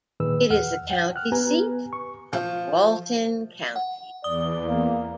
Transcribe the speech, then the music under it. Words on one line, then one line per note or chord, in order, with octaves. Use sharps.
It is the county seat of Walton County.
A#2 D#3 G#4 B4 E6
E2 F#5 F6
F#5 G5
F6 F#6
B3 G4 B4 G#5 A#5
C#6
F3
F#5
E2 D5 D#6 G7
A#3